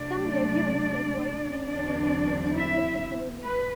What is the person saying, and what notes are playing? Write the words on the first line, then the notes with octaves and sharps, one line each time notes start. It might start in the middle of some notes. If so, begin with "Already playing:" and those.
Some legumes, like white beans and lentils are particularly good.
Already playing: C3 F#3 A3 D4 D5
E2 D3 F#3 C4 D4 D5
E4 E5
B4